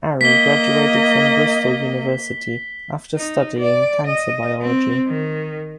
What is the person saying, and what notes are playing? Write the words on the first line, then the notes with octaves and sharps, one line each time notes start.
Aryee graduated from Bristol University after studying cancer biology.
A#3 D#5 B6 G7
D#4
D5
D#5
C4
D#3